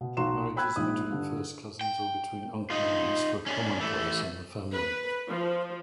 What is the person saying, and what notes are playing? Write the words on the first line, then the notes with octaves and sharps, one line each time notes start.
Marriages between first cousins, or between uncle and niece, were commonplace in the family.
B2
B1 F#4 A#5 C6 E7
G5 B5 E6 F#6 G#6
A#1 G#2 B5 D#6
G2 D3
G5
D#4 F4
C#4 D4
E3 A3
B4
F3